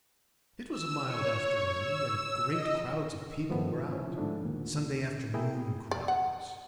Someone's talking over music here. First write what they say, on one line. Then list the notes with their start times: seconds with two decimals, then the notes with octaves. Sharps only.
It was a mild afternoon and great crowds of people were out. Sunday afternoon crowds.
0.70 E6
1.05 C#5
1.78 E6
2.50 D#5
3.50 D#3 F3 A3 B3
3.91 C3 F3 C#4 E4
4.18 G#2 D3 A3 D4
4.43 D#2 A#2
5.34 A3 A#3 E4 G#4 A#4 G5
5.91 D5
6.08 F#5